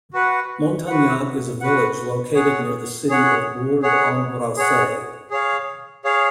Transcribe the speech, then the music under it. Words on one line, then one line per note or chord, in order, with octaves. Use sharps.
Montagnat is a village located near the city of Bourg-en-Bresse.
F#4 B4 F#5
F#4 B4 F#5
F#4 B4 F#5
G#4 C#5 F#5
G#4 C#5 F#5
G#4 C#5 F#5
G#4 C#5 F#5
G#4 C#5 F5
G#4 C#5 F5